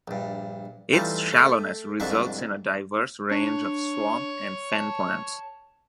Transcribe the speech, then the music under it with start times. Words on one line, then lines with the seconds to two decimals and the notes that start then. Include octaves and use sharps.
Its shallowness results in a diverse range of swamp and fen plants.
0.08 A#1 G2
0.93 E3 G3 A3 C4 D#4 F4
1.33 A3 G5
2.00 C2 F2 G#2 D4 F#4 E5
3.31 D4 C#5
4.73 A5